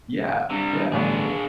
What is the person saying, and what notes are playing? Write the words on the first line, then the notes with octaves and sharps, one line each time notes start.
Yeah, yeah.
G2 C3 G3
A1 D3 B3 D4 G#4